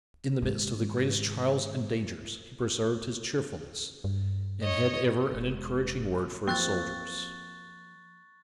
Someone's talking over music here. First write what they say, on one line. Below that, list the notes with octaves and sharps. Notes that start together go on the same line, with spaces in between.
In the midst of the greatest trials and dangers he preserved his cheerfulness, and had ever an encouraging word for his soldiers.
G#2 D#3
G2
C#5 D#5
E1 C3
F3 A#3 C4 C#6 F#6 A6